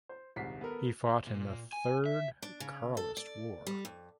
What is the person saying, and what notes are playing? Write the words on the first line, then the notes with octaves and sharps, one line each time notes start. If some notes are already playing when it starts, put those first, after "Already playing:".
He fought in the Third Carlist War.
C5
D#1 C2 G#2 F#5 B6 C7
B3 A4 A#4
A#2
G#5
E5
D4
C#3
A4
D5
G3
F2